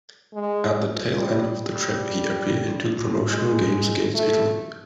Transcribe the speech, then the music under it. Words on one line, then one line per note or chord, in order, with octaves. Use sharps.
At the tail-end of the trip he appeared in two promotional games against Italy.
G#3
G3
G3
G#3
A3